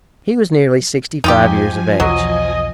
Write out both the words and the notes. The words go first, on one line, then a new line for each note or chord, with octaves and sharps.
He was nearly sixty-five years of age.
F2 F3 D#4 F4 G4 G#5
B1 E2 F#3 D#5